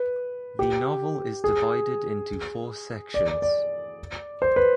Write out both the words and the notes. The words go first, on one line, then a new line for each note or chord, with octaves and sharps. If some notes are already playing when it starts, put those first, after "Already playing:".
The novel is divided into four sections.
Already playing: B4
G4
G#4
D5
D5
D5
C5
B4